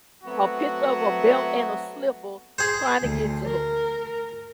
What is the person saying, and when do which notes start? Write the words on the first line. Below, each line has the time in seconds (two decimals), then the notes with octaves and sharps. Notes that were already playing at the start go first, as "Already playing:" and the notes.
a picture of a belt and a slipper trying to get to her.
0.24 F#3 A3 B3 C4 F#4
2.58 G#4 C5
3.02 D2
3.45 A#4